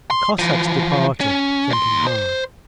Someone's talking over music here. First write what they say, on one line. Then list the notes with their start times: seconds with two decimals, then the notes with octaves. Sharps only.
The Cossacks departed, thinking hard.
0.11 C6
0.39 E3 F3
1.21 C#4
1.71 D#2 C6
2.07 C5